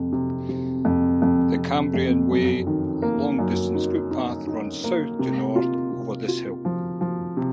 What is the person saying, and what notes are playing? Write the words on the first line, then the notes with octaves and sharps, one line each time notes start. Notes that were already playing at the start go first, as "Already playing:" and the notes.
The Cambrian Way long distance footpath runs south to north over this hill.
Already playing: F2 C3
C3
C3
F2
F2
C3
F2
F#2
D#3
A#3
F#2
D#4
D#4
D#4
A#3
C3
F4
C3
F4
F3
F3
C3